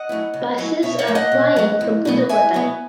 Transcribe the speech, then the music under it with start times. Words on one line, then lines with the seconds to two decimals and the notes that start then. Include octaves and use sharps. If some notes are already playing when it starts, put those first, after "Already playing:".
Buses are plying from Pudukottai.
Already playing: D#5 F#5
0.09 F#3 A3 C#4 E4
0.34 C#3
0.58 F#3 A3 C#4 E4
0.82 B2 C#5 E5
0.99 C#5 E5
1.07 F#3 A3
1.15 D#5 F#5
1.32 B2
1.56 F#3 A3
1.81 E2
2.05 B2 F#3 B3
2.29 E2 E5 G#5
2.54 B2 F#3 B3